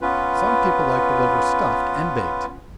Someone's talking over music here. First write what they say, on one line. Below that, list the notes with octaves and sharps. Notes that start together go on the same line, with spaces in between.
Some people like the liver stuffed and baked.
B3 C#4 F4 B4